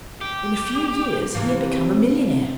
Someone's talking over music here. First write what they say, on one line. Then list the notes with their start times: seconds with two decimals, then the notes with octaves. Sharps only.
In a few years, he had become a millionaire.
0.21 G4
1.35 C3 E3 F3